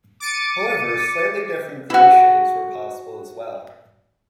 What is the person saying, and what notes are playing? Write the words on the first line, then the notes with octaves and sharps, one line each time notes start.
However, slightly different grey shades were possible as well.
D6 A6 C#7 D#7
E4 F#4